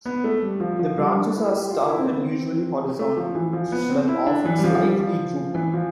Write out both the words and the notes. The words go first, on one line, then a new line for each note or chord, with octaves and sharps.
The branches are stout and usually horizontal, but often slightly drooping.
B3
A3
G3
F3
F3
G3
D4
E4
G4
F4
E4
C4
B3
C4
A3
F3
E3
F3
B3
C4
E4
D4
E3
G3
F3
G3
F3
E3
F3